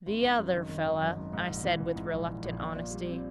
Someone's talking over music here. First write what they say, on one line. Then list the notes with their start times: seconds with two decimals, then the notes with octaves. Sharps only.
"The other fellow," I said with reluctant honesty.
0.06 G#1
0.22 G#1
0.38 F#2
0.54 D#3
0.69 D#3
0.85 G#1
1.02 F#2
1.16 G#1
1.33 G#2
1.48 A#1
1.64 E3
1.80 E3
1.96 G#2
2.11 A#1
2.28 E3
2.44 A#1
2.59 A#2
2.76 A#2
2.91 G3
3.06 C4